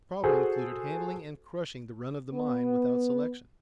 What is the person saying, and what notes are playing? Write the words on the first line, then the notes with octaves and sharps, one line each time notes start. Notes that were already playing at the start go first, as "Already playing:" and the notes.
The problem included handling and crushing the "run of the mine," without selection.
F#4 G#4 A4 C5
B3